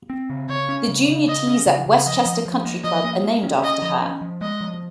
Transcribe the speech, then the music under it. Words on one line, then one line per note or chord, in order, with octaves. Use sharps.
The junior tees at Westchester Country Club are named after her.
C4
C#3
C#3 C#5
C#4
C#3
C#3
C#3 D#5
C#4
C#3
C#3
F3 D#5
F3
F3
A#3
F3 D#5
A#3
A#3
C#4
C#4 D#5
F3
C#4
F3
G#3 D#5
F3